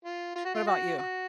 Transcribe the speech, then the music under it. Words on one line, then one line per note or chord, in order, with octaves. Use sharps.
what about you?
F4
F4
F#4
F4
F#4
F#4